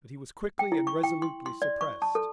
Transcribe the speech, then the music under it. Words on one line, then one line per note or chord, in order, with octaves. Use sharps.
But he was quickly and resolutely suppressed.
G5
E4
C#6
G5
C6
C6
D5
C#6
A5
A4